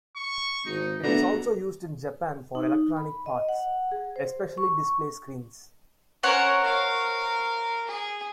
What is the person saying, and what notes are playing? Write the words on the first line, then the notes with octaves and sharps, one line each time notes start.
It is also used in Japan for electronic parts, especially display screens.
C#6
G#1 D#4
B2 A3 B3 D4 A#5
D#4
B5
D#5
F#5
G#4
C5
C#6
C#4 A#4 C5 C#5 F#5
A#4 F5
G#4